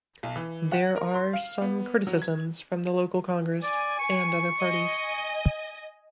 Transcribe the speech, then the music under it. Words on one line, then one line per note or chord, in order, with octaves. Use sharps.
There are some criticisms from the local congress and other parties.
B1
E3
F#5
A#4
C6
F5
B3
F#3
G#6
D5 G#5
C#6
D#5 G#5